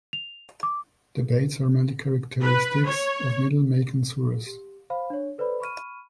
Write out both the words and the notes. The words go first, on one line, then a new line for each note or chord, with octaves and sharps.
Debates are mainly characteristics of middle "Meccan suras".
F7
D6
B4
C#5
G4
C5 F5 B5
D4 C#5
A4 B4 C5 D5 B5
B5 C#6 F6 D#7